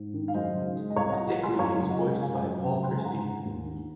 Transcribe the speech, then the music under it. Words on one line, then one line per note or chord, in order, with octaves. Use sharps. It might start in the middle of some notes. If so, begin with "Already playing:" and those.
Stickly is voiced by Paul Christie.
Already playing: G#2
D#3
F5
F#2 C5 D#5
C#3
G#3
D#5
C2 C#5 F5
D#5 F#5
A#2
F#5 A#5
F3
G#5 C6
F#2 C#5 F5
C#3
D#5 F#5
G#3
F3 F5 G#5
F#2
C#3
G#3 C6
A#5
G#5
G#2 F#5 A#5
D#3
D#2
D#3